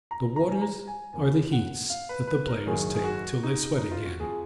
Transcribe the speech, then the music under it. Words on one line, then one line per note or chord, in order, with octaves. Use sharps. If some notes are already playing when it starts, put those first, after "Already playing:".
The waters are the heats that the players take till they sweat again.
A#5
A#5
G#5
A#5
G#5
D#2 C#3 F3 G#5
F#5
F5
B4
B4
A#4
F#1 F#2 D#3 F#3 G#4
G#4
F#4
D#4
D#4
F4
F#4
F2 F3 G#4